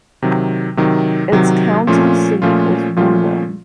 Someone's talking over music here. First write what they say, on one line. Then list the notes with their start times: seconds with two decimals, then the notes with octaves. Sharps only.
Its county seat is Windom.
0.22 C3 D#3 F#3
0.77 C3 D#3 F#3
1.32 C3 D#3 F#3
1.87 A#2 F3 A3 C#4 F4
2.42 A#2 F3 A3 C#4 F4
2.96 A#2 F3 A3 C#4 F4